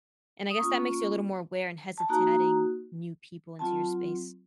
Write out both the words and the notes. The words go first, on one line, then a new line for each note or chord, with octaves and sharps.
And I guess that makes you a little more aware and hesitant adding new people into your space.
D#6
A#3 C#4 F4 C#6
A5
A#3 D#4 F#4 A#5
F#3 C4 F4 A5